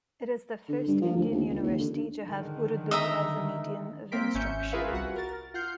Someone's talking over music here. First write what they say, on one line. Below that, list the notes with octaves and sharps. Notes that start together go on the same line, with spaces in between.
It is the first Indian university to have Urdu as a medium of instruction.
D3
G2
F3
D2
D#2
C#2
D#2
D3
D3 D#3 G#3
D#5 E5 A#5
A#3 C4 A#4 C6 B6 D7
G#1 C#4 E5 G6 C#7
F4 G#4 A#4 B4 E5 F5
C2 F#4 F#5
A#4 A6
F4 F#5 F6 G6 C7